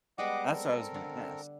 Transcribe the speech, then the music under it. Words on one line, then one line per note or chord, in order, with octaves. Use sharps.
That's what I was gonna ask.
G3 G#3 B3 D#5 F#5 D6
C4 A4 A#4
D3